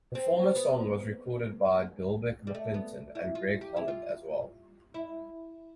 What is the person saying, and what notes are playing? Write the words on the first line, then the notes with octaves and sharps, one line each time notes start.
The former song was recorded by Delbert McClinton and Greg Holland as well.
C4
B3
G3
A3
B3
E4
F4
G4
E4
F4
E4